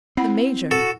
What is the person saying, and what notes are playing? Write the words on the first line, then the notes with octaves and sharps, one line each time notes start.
"The major."
C4 E4 F#5 B5
F#4 A4